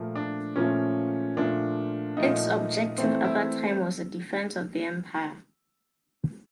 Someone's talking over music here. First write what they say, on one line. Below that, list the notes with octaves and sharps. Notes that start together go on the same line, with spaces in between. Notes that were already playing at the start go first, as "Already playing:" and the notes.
Its objective at that time was the defence of the Empire.
Already playing: A#2 F3 A3
D4
A#2 F3 A3 C#4
A#2 F3 A3 D4
A#2 F3 A3 D#4
E3 A3 C4
E4